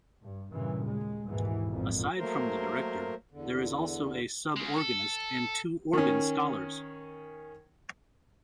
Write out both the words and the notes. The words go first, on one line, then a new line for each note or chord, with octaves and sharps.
Aside from the director, there is also a sub-organist and two organ scholars.
G2
G2 A#2 C#3 E3
D#2 G#3
D#2 G#2 B2 E3
G#1 F2 A#2 F3
F#3 A3 A#3 A#4 C5
E2 D3
C#3 G#3
A4
D#3 C#4